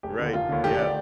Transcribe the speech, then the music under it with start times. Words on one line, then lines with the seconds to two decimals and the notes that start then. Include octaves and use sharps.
Right, yeah.
0.03 F1 G4
0.19 D#2 D3
0.34 F1 F4
0.49 D#2 D3
0.64 F1 G4
0.79 D3 D5